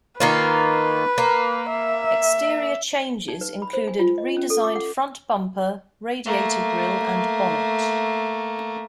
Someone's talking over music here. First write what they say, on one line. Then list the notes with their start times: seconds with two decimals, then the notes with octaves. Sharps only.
Exterior changes included redesigned front bumper, radiator grille and bonnet.
0.20 D#3 A#3 F4 B4
1.18 A#3
1.70 E5
3.28 D#4
3.41 B4
3.62 B5
3.73 C5
3.88 G#5
3.99 F4
4.18 D#5
4.37 C#4
4.50 A4
4.64 D6
4.76 F#5
6.26 A3 A#3